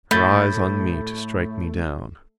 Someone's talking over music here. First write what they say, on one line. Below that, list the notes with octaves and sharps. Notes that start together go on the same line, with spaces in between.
Her eyes on me to strike me down.
A2 A3 B5 G6 A6